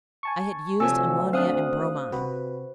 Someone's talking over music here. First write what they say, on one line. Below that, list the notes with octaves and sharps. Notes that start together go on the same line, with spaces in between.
I had used ammonia and bromine.
G#5 A5 C#6
D2 C3 F3 A4 C#5 G#5 E6
C4 D4 C5 F5 D#6 F#6
C3 F#4 B4